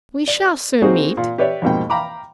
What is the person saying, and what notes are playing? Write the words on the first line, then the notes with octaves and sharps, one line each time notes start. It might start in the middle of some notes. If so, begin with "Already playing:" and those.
"We shall soon meet."
D5
A#3 C4 D#4 F#4 G#4 C5
A#2
G4 B4 C#5 D5 E5
F2 G#2 B2 F3 A#3 G5
F5 G5 A#5 B5 D6